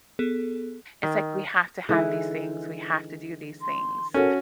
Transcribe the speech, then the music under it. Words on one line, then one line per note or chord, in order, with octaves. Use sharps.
It's like we have to have these things. We have to do these things.
B3 G#4 A4
D#3
D3 E3 G#3 D#4 B4 E5
C6
C#4 F#4 A4 A#4